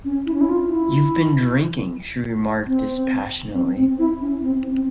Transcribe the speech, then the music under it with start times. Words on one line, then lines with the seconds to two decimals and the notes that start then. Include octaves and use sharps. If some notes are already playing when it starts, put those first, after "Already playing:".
"You've been drinking," she remarked dispassionately.
0.04 C#4
0.26 E4
0.34 C#4
0.41 E4
0.48 F4
0.70 E4
2.67 C4
3.54 C4
3.77 C4
3.99 E4
4.20 C#4
4.42 C4
4.71 C4